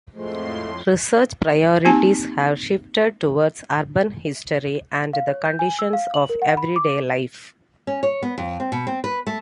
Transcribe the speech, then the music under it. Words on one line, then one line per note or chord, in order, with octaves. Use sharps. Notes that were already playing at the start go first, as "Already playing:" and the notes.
Research priorities have shifted toward urban history and the conditions of everyday life.
F2 A2 F3 G#3 A3 C6
A#3 C4 D#4 G4 G#5 A5
F5
C#5
G6
G#5
E6
F5
F#7
A#4
F#5
B5
D6
C#4
C#5
B3
F2
C4
B2
C4
B4
A3